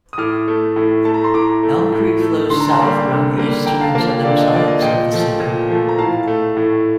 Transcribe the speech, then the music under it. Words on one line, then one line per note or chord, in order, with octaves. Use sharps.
Elm Creek flows south around the eastern and southern sides of the city.
D#6
A2 D6 F6
A3
A2
A3 A5
A#5
C6
A2 A#5 D6
A3
A2
A3
D3 C6
A#5
A5 C6
G3 A#3
D3
G3 A#3
D3 G5 A#5
F5 A5
F3 A#3 F5 A5
D3 D5 F5
D#5
F3 A#3 D5
D#5
A#2 D#5 G5
F3 A3
A#2
F3 A3
A#5
A2 F5 A5
A3
A2